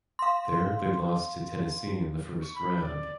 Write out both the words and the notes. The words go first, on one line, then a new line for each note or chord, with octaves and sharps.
There they lost to Tennessee in the First Round.
F5 C6
C#6
B5
D5